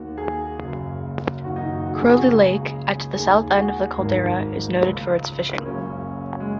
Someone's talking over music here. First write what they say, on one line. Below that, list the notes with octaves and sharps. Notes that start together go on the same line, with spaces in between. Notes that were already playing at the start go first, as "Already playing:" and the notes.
Crowley Lake, at the south end of the caldera, is noted for its fishing.
Already playing: D#2 D#3 F#4
G#4
F#1 F#2 C#3
F#1 F#2 D#3 F#4
D#4
F#4
F#4
G#4
F#4
G#4
F#4
C#2 C#3 G#4
D#2 D#3 G#4
G#4
F#4
G#1 G#2 D#3 A#3
C#2 C#3
A#3
F#1 F#2 C#3 C#4
G#3